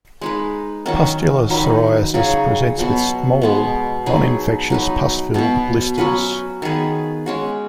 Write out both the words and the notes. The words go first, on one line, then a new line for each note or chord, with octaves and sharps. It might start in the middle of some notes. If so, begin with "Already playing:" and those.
Pustular psoriasis presents with small non-infectious pus-filled blisters.
G#3 D#4 B4
D#3 F#3 C#4 F#4
D#3 F#3 D#4 B4
C#3 F#3 D#4 G#4
B2 F#3 B3 F#4
B2 G#3 B3
F#3 D#4 G#4 B4
F#3 D#4 B4
B2 B3 F#4
F#3 C#4 F#4 B4
D#3 B3 G#4 B4
G#3 C#4 F#4